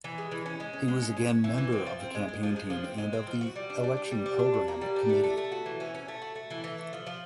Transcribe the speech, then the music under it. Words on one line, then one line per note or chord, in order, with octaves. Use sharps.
He was again member of the campaign team and of the election program committee.
E3
G#3
E3
C#4
G#3
C#4
G#3
C#4
C#4
C#4
E3
E3
C4
F3
C4
G#3
G#3
F3
G#3
F3
C4
G#3
C4
F3
F#4
G3
D4
G3
G3
G3
D4
D4
F#4
A#3
G3
D4
A3
A3
A3
F#4
E3
C#4
C#4
A3
F#4
A3
E3
E3
A3
F3
F3